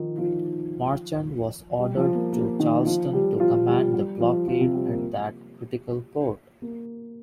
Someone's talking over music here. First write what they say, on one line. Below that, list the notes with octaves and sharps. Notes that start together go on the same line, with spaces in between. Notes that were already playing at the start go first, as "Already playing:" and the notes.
Marchand was ordered to Charleston to command the blockade at that critical port.
Already playing: D#3 F3 D#4 F4
F3 F4
G3 G4
F3 F4
A#3
A#3
D#3 D#4
F3 F4
G3 G4
F3 F4
G3 G4
G3 G4
F3 F4
F3 F4
C3 C4
G3
A#3
A#3